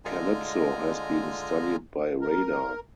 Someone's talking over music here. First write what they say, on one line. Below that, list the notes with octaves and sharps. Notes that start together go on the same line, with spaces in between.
Kalypso has been studied by radar.
D3 G#3 F4 D#5 G#5 A#5
A#4